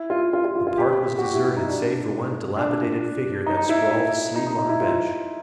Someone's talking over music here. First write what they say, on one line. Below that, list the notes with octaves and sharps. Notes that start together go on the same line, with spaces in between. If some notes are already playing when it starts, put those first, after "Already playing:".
The park was deserted save for one dilapidated figure that sprawled, asleep, on a bench.
Already playing: E4
F4
F4
F4
F4
F4
G4
F#4
G4
E4
E4
D#4
D4
D4
D#4
D#4
E4
E4
D#4
D#4
D#4
E4
F4